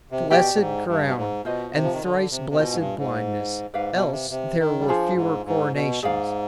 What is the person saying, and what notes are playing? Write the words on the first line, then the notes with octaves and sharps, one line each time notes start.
Blessed crown! and thrice-blessed blindness--else there were fewer coronations.
C3
B2 G4 D5 G5
B2
G#2
G2
B2
G#2
B2 F4 C5 D#5
C3
F3
D#3
D3
C3
C3
B2 F4 C5 D#5 G#5
G#2
G2
G#2
G#2 B4 D5 F5
B2
C3
C3
D#3
G3
F3 D4 F4 G#4 C5
G#2
G#2
B2
G#2 G#4 D5 F5